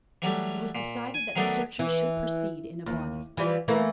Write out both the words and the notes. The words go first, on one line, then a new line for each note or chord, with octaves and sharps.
It was decided that the searchers should proceed in a body.
E3 F#3 G3 A3
A#2
G#5
D#3 F#3 A3 B3 D4 A4
E3
D#2
E3 F3 G3
E3 A3 A#3